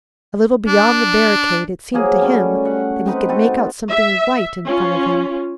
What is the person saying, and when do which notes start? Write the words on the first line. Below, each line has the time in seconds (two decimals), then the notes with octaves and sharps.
A little beyond the barricade, it seemed to him that he could make out something white in front of him.
0.68 D4
1.93 F3 F#3 A#3 G#4
2.21 G3 A3 C#4
2.65 F#5
3.06 C4 D#4 B4
3.29 C4 F#4 A4 B4
3.91 E5
4.67 C#4 F4